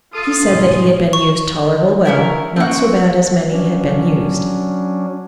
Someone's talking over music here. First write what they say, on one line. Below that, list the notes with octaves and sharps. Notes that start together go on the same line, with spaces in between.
He said that he had been used tolerable well, not so bad as many had been used.
F4 A4 F5 D#6
A2 C3 E3 C#4 C6
C#6
C#4 E4 A#4
A#3 C4 C#4 F#4
F#3 C#4 D4